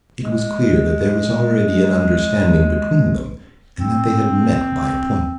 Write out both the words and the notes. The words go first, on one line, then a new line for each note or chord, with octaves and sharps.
It was clear that there was already an understanding between them and that they had met by appointment.
G#3
C4